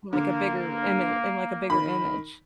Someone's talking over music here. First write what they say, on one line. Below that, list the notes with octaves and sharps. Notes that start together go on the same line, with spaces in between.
like, a bigger ima in, like, a bigger image.
D3 A#3
D#3 B5